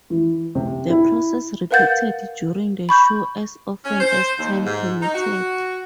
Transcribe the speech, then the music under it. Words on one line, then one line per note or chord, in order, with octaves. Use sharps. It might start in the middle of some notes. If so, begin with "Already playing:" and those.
The process repeated during the show as often as time permitted.
E3
C3
E4
A#4 B4 F5 F#5 G6 A6
B5 C#6 G6
C#4
C5
D#2
G#2
D#4
F#4